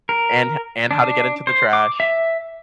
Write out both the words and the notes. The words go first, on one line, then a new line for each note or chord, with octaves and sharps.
and ho and how to get into the trash
A#4
D4
C5
D6
E5